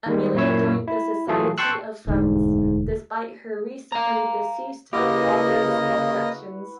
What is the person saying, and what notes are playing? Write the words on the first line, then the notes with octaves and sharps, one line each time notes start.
Amelia joined the Society of Friends despite her recently-deceased father's objections.
D#3 G3 G#3
F#2 A#2 E4 C#5 E6
E4
E3 F#3 A3 F4 G#4 A4
G5 A5 C6 C#6 E6 F#6
E1 D2 G#2 D3
F5 A#5
C#3 A#3 E4 F#4 G4 B4 D#5